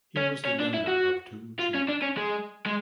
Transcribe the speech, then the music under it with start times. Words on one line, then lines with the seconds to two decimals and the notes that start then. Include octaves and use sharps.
He was the younger of two children.
0.17 C#4
0.45 C#4
0.60 D4
0.74 E4
0.87 F#4
1.59 F4
1.75 C#4
1.89 D4
2.02 C#4
2.17 G#3
2.66 G#3